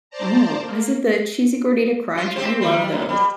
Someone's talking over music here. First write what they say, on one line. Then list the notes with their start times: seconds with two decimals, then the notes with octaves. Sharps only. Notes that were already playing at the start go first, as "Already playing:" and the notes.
Oh, is it the Cheesy Gordita Crunch? I love those.
0.10 C5 D5 A5 A#5
0.60 A#3
2.17 F4
2.36 C4 G4 C5
2.61 D#3 G3
2.92 F#2
3.09 G3